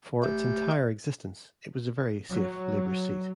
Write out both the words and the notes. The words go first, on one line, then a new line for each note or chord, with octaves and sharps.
For its entire existence, it was a very safe Labor seat.
A3 G4 G6
F#3